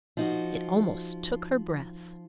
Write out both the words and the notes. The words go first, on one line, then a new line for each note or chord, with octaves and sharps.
It almost took her breath.
F3 D#4 F#4